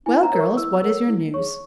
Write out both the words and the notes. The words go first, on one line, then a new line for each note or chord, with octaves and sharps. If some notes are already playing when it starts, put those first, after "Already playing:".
"Well, girls, what is your news?"
E4 G#5
A#5
A#4 C#5
C#6
E4 E6
A#4 C#5 E6
E4
G#4 C#5 C#6